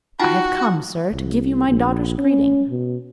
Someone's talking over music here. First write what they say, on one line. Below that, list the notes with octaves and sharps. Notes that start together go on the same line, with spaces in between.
'I have come, sir, to give you my daughter's greeting.
D#4 F4 F#4 F#5 G5 A5
C2
A#1
C#4
B2